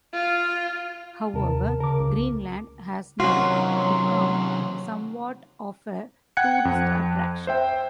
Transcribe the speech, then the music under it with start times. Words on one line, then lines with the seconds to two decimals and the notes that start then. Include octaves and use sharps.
However, Greenland has now become somewhat of a tourist attraction.
0.14 F4
1.34 D#2 C3 A#4 A5
1.80 C#3 A#4 D6
2.00 C#2
3.20 C3 D#3 F#3 C#4 F4 F#4
6.37 F#5 G5 F#6 G#6 C#7
6.65 F2
7.47 C5 E5 G5